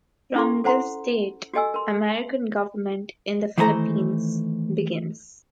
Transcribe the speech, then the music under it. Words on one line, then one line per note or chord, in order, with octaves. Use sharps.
From this date, American government in the Philippines begins.
C#4 E4 A4 C6 C#6
A4 C5 F#5 A#5 C6
F#4 G4 A4 D#5 G#5 E6
A#4 C6
D#3 E3 A3 C5 G#5 A#5